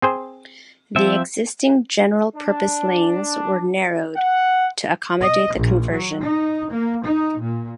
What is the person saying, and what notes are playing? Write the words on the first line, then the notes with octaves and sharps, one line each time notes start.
The existing general-purpose lanes were narrowed to accommodate the conversion.
C4 G#4 C5
F3 C4 E5
D4
F#5
D#5
A#1
F#3
D#4
A#3
D#4
A#2